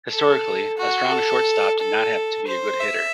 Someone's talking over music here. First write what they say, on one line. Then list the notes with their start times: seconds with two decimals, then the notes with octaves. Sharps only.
Historically, a strong shortstop did not have to be a good hitter.
0.11 A4
0.78 F#4
1.11 A4
1.79 A4
2.47 C5
2.81 E5